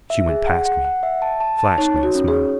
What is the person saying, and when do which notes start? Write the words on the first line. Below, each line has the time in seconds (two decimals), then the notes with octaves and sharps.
She went past me, flashed me a smile.
0.10 E5
0.29 G#4
0.47 F#5
0.66 F#5
0.85 F#5
1.03 E5
1.22 A5
1.40 A5
1.59 A5
1.78 D#4 C#5
1.96 C#5
2.03 F#4
2.15 C#4
2.28 G#4
2.33 C#5